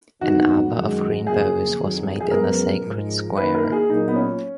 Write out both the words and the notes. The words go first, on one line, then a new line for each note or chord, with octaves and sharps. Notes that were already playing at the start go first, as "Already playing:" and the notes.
An arbor of green boughs was made in the sacred square.
F2 D#3 F#3 B3 D#4 F#4
F#2 D#3 G#3
F2 C#3 F#3 A#3 G#4
F2 D#3 F#3
G#4
F#2 F3 G#3 B3 A#4
G#2 F3 G#3
D#3 A#3 D#4 B4
A#4
A#4
G#4
A#2 F#3 A#3 D#4
B3
C#4